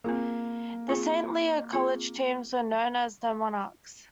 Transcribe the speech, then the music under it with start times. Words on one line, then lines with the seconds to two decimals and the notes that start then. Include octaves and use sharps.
The Saint Leo College teams were known as the Monarchs.
0.04 A#3 C4 F4 G#4
0.88 C4 F4 G#4
1.73 C4 F4 G#4